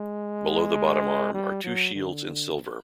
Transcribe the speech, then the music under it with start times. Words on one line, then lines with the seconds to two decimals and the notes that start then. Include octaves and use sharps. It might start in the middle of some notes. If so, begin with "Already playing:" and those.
Below the bottom arm are two shields in silver.
Already playing: G#3
1.34 G3
1.64 F#3
1.95 D3